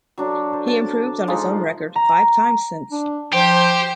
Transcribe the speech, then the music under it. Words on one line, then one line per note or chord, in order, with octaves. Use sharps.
He improved on his own record five times since.
F#3 D4 A4
C5
A5
F3 G#3 D#4 F4
A#5
D4
F3 G4 C5 G5